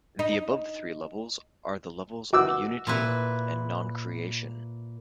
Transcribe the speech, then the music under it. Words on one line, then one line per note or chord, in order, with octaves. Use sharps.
The above three levels are the levels of Unity and non-creation.
D#4
F#4 D6 E6
A#2 E4 B4